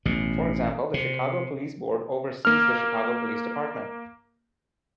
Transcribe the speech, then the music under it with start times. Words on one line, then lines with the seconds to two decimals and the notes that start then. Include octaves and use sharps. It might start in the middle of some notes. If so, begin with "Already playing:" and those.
For example, the Chicago Police Board oversees the Chicago Police Department.
0.05 A1 B2
0.94 C3
2.45 A#3 F6